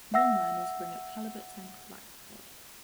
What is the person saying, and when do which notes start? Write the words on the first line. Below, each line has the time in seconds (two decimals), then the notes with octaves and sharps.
Longliners bring up halibut and black cod.
0.14 E5 F#5 E6 A#6